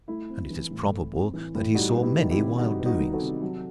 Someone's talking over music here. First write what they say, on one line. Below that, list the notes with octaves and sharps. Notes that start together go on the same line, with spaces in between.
And it is probable that he saw many wild doings.
A3 E4
C4
E3
A2
A3
C4
E3
A2
G3 D#4 F#4
B3
E4 G4
D#3
E4 G4
C3
G3 D#4 F#4
B3
D#4 F#4
D#3
F#4 A4
C3
F#3